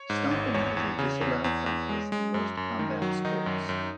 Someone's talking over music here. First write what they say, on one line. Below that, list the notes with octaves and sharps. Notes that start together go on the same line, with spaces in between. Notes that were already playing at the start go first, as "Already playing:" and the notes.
Stomping is a disallowed practice in most combat sports.
Already playing: C#5
G#2
G#1
E2 C#5
E2
C#3
E2
E2
E2
G#3
G#3
F#2
F#2
D#3
F#3
D#3 D#4
F#2
F#2